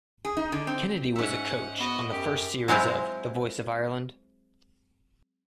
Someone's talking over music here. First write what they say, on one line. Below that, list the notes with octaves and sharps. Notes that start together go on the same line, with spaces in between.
Kennedy was a coach on the first series of "The Voice of Ireland".
G#4
D#4
D3
C4
G#2 C#4 E5 F#5
B3 F#4 D#5
F#2 G4
F#3 G#3 C4 E4 F4